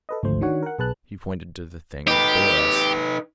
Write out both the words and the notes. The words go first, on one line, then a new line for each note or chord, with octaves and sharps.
He pointed to the Thing that bore us.
A4 B4 D#5
G#1 D2 F3 A3 C5
D#3 D4 F#4 C#5 F#5
A#4 F#5
B1 G#4 B4 A5 F#6
D#4 G4 B4